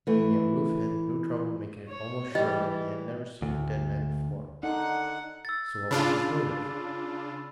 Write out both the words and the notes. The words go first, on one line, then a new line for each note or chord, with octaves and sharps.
And yet Rufe had no trouble making it almost sure that he had never seen the dead man before--so what was his motive?
E3 A3
C#5
E3 G3 D#5
D2
D3 D#4 F#5
E6 A6
C#3 D4 F4 B5